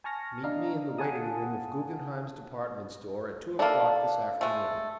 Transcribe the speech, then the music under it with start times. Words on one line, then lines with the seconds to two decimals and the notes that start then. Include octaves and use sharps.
Meet me in the waiting-room of Guggenheim's Department Store at two o'clock this afternoon.
0.04 G#5 A5 C#6 F6 A#6
0.44 D4 D#5 F5 A#5
0.98 F5 F#5 G#5 A5 D#6
3.59 A#3 D4 E4 A4
4.41 G#3 A3